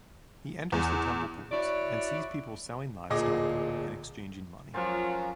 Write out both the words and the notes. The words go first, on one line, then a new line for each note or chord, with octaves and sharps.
He enters the Temple courts and sees people selling livestock and exchanging money.
E2
E4 F#4 C#5 D5
D1 A#2 G#4 D#5 D6
F3 F#3 C#4 F4 A#4